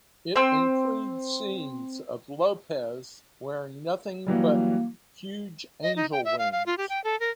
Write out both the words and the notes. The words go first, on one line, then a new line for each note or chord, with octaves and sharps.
It includes scenes of Lopez "wearing nothing but huge angel wings".
C4 E6
E3 F#3 G3 A#3
D#5
D#4
G5
E5
F5
F5
F4
G4
G5
A4
A#4